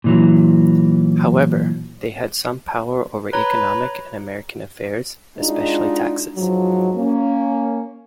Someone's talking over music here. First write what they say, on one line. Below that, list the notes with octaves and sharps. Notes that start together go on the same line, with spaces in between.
However, they had some power over economic and American affairs, especially taxes.
A#2 E3 F#3
B4 C#5 A#5
G#3 D4 D#4 F4 F#4
G#2 F3 F#3
A#3 C#4